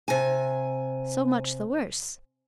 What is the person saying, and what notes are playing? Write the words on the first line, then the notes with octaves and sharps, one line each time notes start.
So much the worse!
C3 G#5